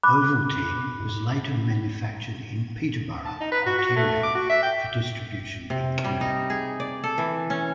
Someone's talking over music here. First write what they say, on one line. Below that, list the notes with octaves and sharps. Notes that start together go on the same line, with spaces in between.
Ovaltine was later manufactured in Peterborough, Ontario for distribution in Canada.
B5 D6 F#6
A5
D#4
B4
F#4
F#4
A3
D6
F#4
E5
G5
C3
G3
D#4
G#4
D5
A4
E3
C#4